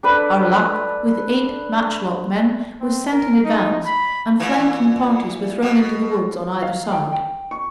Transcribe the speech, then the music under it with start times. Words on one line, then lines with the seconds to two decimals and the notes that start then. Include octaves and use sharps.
Arlac, with eight matchlock men, was sent in advance, and flanking parties were thrown into the woods on either side.
0.03 D4 A4 B4 B5
2.80 C4
3.11 A#4
3.44 D#4
3.86 B5
4.40 A#2 E3
5.62 B2
6.62 F5
6.92 G5
7.12 G5
7.51 C#6